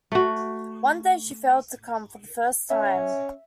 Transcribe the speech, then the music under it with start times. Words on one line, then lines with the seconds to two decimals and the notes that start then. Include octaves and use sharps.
One day she failed to come, for the first time.
0.12 A3 F#4
2.70 C#4 E5